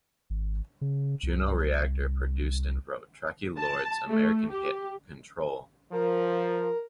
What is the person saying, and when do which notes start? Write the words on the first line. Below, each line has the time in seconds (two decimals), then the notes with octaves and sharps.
Juno Reactor produced and wrote Traci Lords's American hit "Control".
0.30 G#1
0.81 C#3
1.23 C2
3.58 A5
4.08 A3
4.50 G4
5.92 F3 A#4